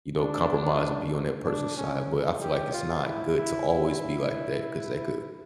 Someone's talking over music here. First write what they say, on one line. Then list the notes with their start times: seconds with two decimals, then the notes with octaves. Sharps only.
you know, compromise and be on that person's side, but I feel like it's not good to always be like that 'cause that could
0.18 D4
1.45 D4
1.77 C#4
2.42 G4
2.73 F4
3.05 E4
3.37 E4
3.69 E4
4.96 E4